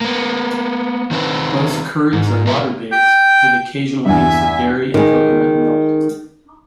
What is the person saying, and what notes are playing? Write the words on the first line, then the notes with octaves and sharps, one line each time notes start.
Most curries are water based, with occasional use of dairy and coconut milk.
A#3 B3
D#3 C4 B4
G#2
B2 A#4 B4 E5
G5
E2 G2 E5 G#5
D#3 G#3